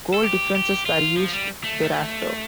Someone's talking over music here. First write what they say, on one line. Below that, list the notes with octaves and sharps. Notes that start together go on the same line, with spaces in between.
Goal differences were used thereafter.
A4
G4
G4
F4
F3
G3
A3